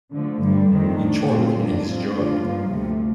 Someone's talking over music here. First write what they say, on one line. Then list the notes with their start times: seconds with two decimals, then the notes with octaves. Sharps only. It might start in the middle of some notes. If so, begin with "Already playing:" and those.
He chortled in his joy.
0.12 D3 F3 A3
0.40 G2 D3 G3
0.69 F2 D#3 A3 C4
0.98 A2 A3 D4
1.26 A#2 A3 C4 F4
1.56 F2 D#3 G3 D4
1.84 A2 A3 C4 F4
2.13 D3 A3 D4 F4
2.41 G2 F3 A#3
2.70 D2 C3 F3 A3